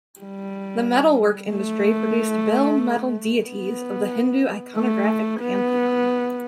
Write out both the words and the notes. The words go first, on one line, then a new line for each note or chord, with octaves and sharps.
The metal work industry produced bell metal deities of the Hindu iconographic pantheon.
G3
A3
B3
A3
B3